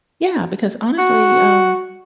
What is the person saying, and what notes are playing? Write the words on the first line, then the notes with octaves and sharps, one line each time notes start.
Yeah, because, honestly, um,
F#4